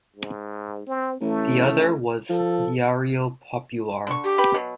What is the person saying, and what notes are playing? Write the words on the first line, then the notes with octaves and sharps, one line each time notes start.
The other was "Diário Popular".
G#2
C4
A1 A3
F3 A4
D3 C#6
G4
B4 G5 B5
B2 F#3